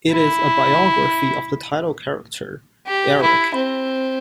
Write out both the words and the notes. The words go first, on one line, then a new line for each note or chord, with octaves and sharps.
It is a biography of the title character, Erik.
E4
G4
E4
C4